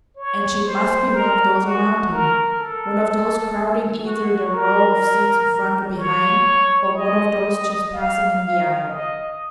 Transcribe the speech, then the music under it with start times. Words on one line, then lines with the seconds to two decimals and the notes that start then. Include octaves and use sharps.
And she must be one of those around him--one of those crowding either the row of seats in front or behind, or one of those just passing in the aisle.
0.17 C#5
0.66 C5
1.14 A#4
1.62 F#4
2.11 A#4
2.59 A4
4.05 F#4
4.53 A#4
5.98 C#5
6.95 D#5
7.92 F5
8.41 F5
8.89 D#5